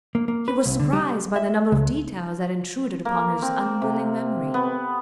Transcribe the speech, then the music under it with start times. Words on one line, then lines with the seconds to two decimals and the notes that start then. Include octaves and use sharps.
He was surprised by the number of details that intruded upon his unwilling memory.
0.15 A#3
0.28 A#3
0.48 B4
0.66 C2
0.80 D3
0.93 G3
1.36 E5
1.72 C#2
3.05 A#3
3.42 C4
3.82 C3
4.54 B3